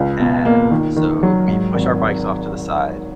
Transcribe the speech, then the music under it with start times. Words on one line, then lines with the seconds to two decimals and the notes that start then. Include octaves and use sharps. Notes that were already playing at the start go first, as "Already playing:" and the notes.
and, so, we push our bikes off to the side,
Already playing: C#2
0.20 B2
0.45 A#3
0.71 D#3
0.96 D#3
1.23 F#3
1.48 G#2
1.74 G#1